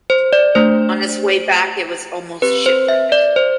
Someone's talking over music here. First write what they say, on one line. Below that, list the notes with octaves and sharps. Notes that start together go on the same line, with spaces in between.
On his way back it was almost shipwrecked.
C5
D5
A3 D4 G4 C5
C4 G4 B4
C5
E5
D5
C5